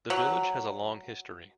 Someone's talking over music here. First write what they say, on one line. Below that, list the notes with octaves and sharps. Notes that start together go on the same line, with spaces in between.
The village has a long history.
F#3